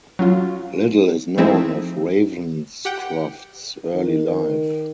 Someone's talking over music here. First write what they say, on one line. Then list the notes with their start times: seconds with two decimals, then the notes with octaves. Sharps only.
Little is known of Ravenscroft's early life.
0.19 F#3 C#4 F4
1.37 F3 A3 C4 D#4 E4 G#4
2.85 G4 F#5 G5
3.94 D#3